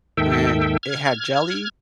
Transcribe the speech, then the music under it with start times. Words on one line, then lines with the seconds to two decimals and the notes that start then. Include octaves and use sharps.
and it had jelly
0.17 D#2 G#2 D#3 A4 E5 G5
0.83 F6 G#6